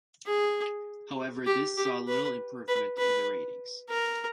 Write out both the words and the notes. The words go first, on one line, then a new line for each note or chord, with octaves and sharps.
However, this saw little improvement in the ratings.
G#4
G4
G4
B4
B4
B4
A#4